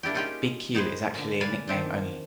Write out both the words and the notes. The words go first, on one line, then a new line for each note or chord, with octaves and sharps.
Big Q is actually a nickname only.
A#3 D4 E4 G4
C#4 D#4 F4 G4 G#4 G5
D#4 G#4 B4 C5
A#2 D3
B4 D5 F5 G#5
D#3 C4 D4